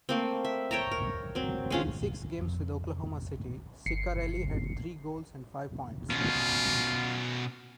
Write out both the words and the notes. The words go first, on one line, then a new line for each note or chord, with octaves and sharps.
In six games with Oklahoma City, Ciccarelli had three goals and five points.
A3 A#3 C4
E5
C#5 G5 A5 A#5
A#4
F#3 C4
G#3 C#4 F4
F2
G1 C7 C#7
B2 C#4 F4